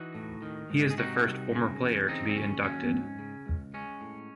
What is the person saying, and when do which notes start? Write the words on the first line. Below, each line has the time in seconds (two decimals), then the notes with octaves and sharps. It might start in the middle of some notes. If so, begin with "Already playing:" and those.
He is the first former player to be inducted.
Already playing: E3 D#4 F#4
0.15 A2
0.42 D#3
0.70 G#2
0.90 G#4
0.98 C3 D#4 F#4
1.25 C2
1.53 C#3
1.81 E2
2.08 C#3 C4 D#4
2.29 C4
2.35 D#2 C#4
2.63 F#3 C#4
2.91 G#2
3.19 C#3
3.46 C#2
3.74 G#3 C#4
4.01 A2